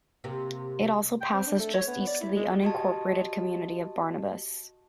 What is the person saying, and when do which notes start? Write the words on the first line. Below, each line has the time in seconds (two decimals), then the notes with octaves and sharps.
It also passes just east of the unincorporated community of Barnabus.
0.24 C3 A#3 G4
1.21 G5
1.34 C4
1.46 D4
1.59 A3
1.74 C#5
1.87 B3
2.07 D5
2.21 E4
2.36 G#3
2.62 F#4 G4 D#5 A5